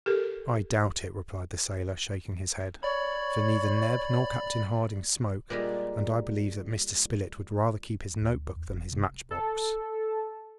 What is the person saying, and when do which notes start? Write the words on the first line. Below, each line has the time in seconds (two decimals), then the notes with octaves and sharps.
"I doubt it," replied the sailor, shaking his head, "for neither Neb nor Captain Harding smoke, and I believe that Mr. Spilett would rather keep his note-book than his match-box."
0.06 G4 A4 A#4
2.83 C#5 D5 B5
5.50 A#2 G3 G#3
8.21 D2
8.56 E2
8.68 F1
8.92 C3
9.31 A4